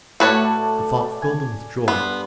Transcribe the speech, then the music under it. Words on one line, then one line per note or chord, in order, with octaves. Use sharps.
The thought filled them with joy.
A2 A3 F#4 B4 C#5 D5
G#5
G2 B3 C6